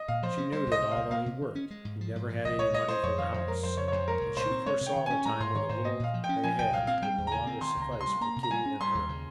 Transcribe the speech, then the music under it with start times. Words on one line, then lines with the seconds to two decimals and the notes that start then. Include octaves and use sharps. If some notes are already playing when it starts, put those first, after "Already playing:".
She knew that although he worked he never had any money for the house, and she foresaw the time when the little they had would no longer suffice for Kitty and her.
Already playing: D#5
0.08 A#2 F5
0.23 F3 C5
0.38 C#4
0.52 G3 C5
0.67 C2
0.72 D#5
0.81 C3
0.92 C2 F5
1.11 A#3 F5
1.26 C3
1.41 D#3
1.55 C#4
1.71 G#3
1.85 G#2
2.01 F3
2.16 G#2
2.29 F3
2.45 C2 D#5
2.59 A#2 C#5
2.73 G#3 D#5
2.88 G#3 C5
3.03 F2 C#5
3.18 D#3 F5
3.33 F2 C5
3.48 G#3 A#4
3.63 F2 C5
3.77 C#3 C#5
3.88 C#5
3.92 F2 C5
4.08 G#3 A#4
4.21 C2
4.37 A#2 C5
4.51 C4
4.66 G#3 C#5
4.81 C3
4.87 G5
4.96 D#3
5.06 C#4 G#5
5.25 G#3 A#5
5.40 G#2 C6
5.55 D#3 C#5
5.69 G#2 C5
5.84 A#3 D#5
6.00 A#2 F5
6.14 F3
6.24 G5
6.29 C#4
6.44 F3 G#5
6.59 C2 G5
6.73 A#2 F5
6.87 C4 F5
7.02 G3 G5
7.18 D#2
7.27 A#5
7.32 C#3 G#5
7.47 C4
7.61 D#3 C6
7.77 C#2 A#5
7.91 C3
8.01 C6
8.07 G3
8.21 A#3 A#5
8.36 C3
8.43 A#5
8.51 G3 G#5
8.66 C#4
8.81 G3 C6
8.95 D#2
9.09 C#3